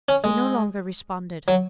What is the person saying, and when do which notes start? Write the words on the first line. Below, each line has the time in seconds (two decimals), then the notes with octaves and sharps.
He no longer responded.
0.09 C#4
0.24 G#3
1.48 F#3